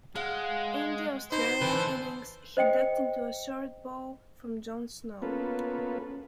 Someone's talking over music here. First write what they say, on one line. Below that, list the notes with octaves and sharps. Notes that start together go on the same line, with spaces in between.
In the Australian innings he ducked into a short ball from John Snow.
G#3 F5 F#5
B2 D#4 C5
D3 E3 B4 A5
C5 D#5 G5 C#7
A#3 B3 C#4 F4 A4 B4